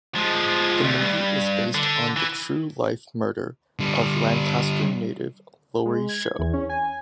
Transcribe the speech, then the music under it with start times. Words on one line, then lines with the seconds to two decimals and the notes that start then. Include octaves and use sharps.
The movie is based on the true-life murder of Lancaster native Laurie Show.
0.15 F3 G#3
0.83 D2
1.00 G2
1.74 D3
2.16 E3
3.79 D3 G3
5.86 G#3
6.09 G#6
6.39 E2
6.53 C#4
6.69 G#5